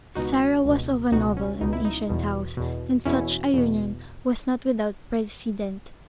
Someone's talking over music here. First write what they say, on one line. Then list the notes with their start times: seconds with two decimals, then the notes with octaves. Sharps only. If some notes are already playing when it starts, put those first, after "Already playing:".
Sarah was of a noble and ancient house, and such a union was not without precedent.
0.15 C#2 B2 D#4 F#4
0.65 C#2 B2
1.12 C#2 D#4 F#4
1.16 B2
1.37 C#4
1.61 C#2 B2 D#4
1.73 E4
1.85 D#4
2.10 E2 B2
2.57 E2 B2
3.06 E2 B2 C#4 E4
3.54 E2 B2